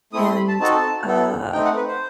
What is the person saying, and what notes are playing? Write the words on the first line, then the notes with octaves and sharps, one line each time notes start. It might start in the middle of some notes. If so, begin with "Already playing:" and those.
and, uh
A3 C4 E4 D#6
C6
B5
A5
C4 D#4 F#4 A4 A5
B3 E4 A4
A3 C4 D#4 G5
F#5
B4
C5